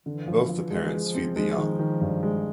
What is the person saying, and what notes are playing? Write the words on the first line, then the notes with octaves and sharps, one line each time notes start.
Both the parents feed the young.
D3 E3
F3
F3
E3 G#3
G#3
F3
C4
F3 G#3
D#3
D#3
G2
G#3